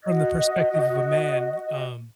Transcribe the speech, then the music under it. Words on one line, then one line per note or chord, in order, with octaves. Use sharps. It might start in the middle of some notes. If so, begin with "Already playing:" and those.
from the perspective of a man, um
F#4 D#5